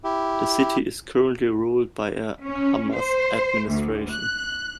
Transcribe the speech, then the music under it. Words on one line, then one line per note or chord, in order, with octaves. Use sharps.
The city is currently ruled by a Hamas administration.
E4 G4
C#4
C5
D2
F#6